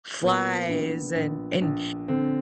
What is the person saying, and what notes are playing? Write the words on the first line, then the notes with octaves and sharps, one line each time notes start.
flies and and
A#2 B3
A#1
A#1
A#1
D3 C4